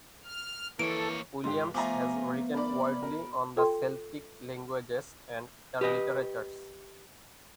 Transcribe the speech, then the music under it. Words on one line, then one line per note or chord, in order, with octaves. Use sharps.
Williams has written widely on the Celtic languages and their literatures.
F6
E3 A#3 A4 C#5 D7
C#2 G#2 G4 C6
F3 A3 B3 F4 G#5 A#5 D6
A#4 D5 B5
B2 A#4
F4 A4 G5 C6
G4 B4 D#5